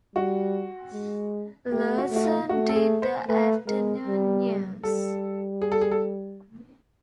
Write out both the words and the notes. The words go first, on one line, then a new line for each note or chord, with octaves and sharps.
Larson did the afternoon news.
G3 F#4
G#3
A3 G4
F#4
A3
F#4
F4
A3 F#4
A4
G#4
C5
A3 B4
G#3 A#4
G3
G3 A4
G#4
A4
G#4
A4